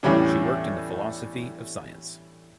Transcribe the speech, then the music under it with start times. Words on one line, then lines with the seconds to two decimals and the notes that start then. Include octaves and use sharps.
She worked in the philosophy of science.
0.03 E2 A2 G3 C#4 D4